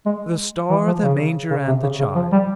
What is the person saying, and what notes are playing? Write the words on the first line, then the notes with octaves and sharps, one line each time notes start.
"The star, the manger, and the Child!"
G#3
E3
F3
C#3
C#3
C3
C#3
C#3
F3
G3